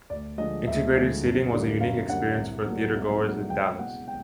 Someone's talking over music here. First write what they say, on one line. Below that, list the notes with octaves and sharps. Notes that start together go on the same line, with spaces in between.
Integrated seating was a unique experience for theatergoers in Dallas.
D2 D5
D3 F3 G#3 D#5
D2 E5
D3 F3 G#3
F#2
D3 G3 A#3 D4
F#2 F5
D3 G3 A#3 D4 F#5
C2
A#2 F#3 A3
C2
A#2 F#3 A3
C#2 G5
B2 G#3 F#5
G5